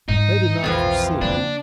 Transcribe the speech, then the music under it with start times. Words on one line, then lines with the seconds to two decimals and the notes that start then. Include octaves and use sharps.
They did not foresee....
0.09 G#2 G#3 D#4
0.64 B1 F2 E3 F3 F4
1.21 C#3 A#3 D4